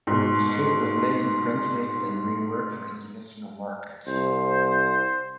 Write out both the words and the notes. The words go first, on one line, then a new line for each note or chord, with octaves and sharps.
The strip was later translated and reworked for international markets.
G#2 B2
C2 C5